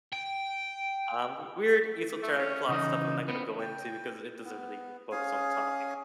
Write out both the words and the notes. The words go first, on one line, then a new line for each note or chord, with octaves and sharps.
um, weird esoteric plot stuff I'm not gonna go into because it doesn't really focus on the topic.
G5
A3
C#4
C#3 E3 D#4 D#5
B3 C4
G5
B3
C#4 G#4 F5 G#5